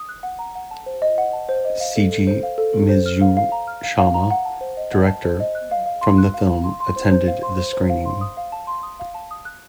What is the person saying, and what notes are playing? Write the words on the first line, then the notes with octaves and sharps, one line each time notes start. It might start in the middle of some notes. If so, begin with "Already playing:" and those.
Seiji Mizushima, director from the film, attended the screening.
Already playing: D#6
F#6
F#5
A#5
F#5
A5
C5
D#5
F#5
A5
C5
D#5
F5
A4
A4
C5
F5
A4
A4
C5
F6
F5
F5
A#5
F6
F5
F5
A#5
F#5
A5
C5
D#5
F#5
A5
C5
D#5
F#6
F5
F5
C6
F#6
F5
F5
C6
C6
C5
C5
F5
C6
C5
C5
F5
C6
D#6
F5
A5
C6
D#6
F5
A5
D#6
F#6